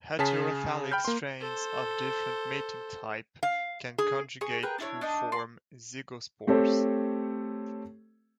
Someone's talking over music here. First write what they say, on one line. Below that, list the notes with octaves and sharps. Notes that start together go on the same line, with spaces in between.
Heterothallic strains of different mating type can conjugate to form zygospores.
C#3 G#4 A5 B6
G5 B5 F6 G6
A#3 C6
A4 C5
F5
G#4
G#4 C#6
G#4 A#4 B4 G5
D4 E4 C#5
D4 D#4 D#5
D5 C6
A3 C4 G4 A4 C5 C#5